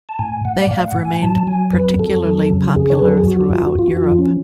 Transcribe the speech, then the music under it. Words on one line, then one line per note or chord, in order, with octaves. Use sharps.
They have remained particularly popular throughout Europe.
A5
A2 G#5
A2 F#5
D5
A2 F5
F#5
A2
G#5
F#3 A5
F#3 G#5
F2 B4
F2 A4
F#3
C#3
F2 G#4
C#5
F#3 B4
A4
G#4
F2 F#4
F#4
F2 F4
F#4
F2 F4
F#4
F4
F3
C#4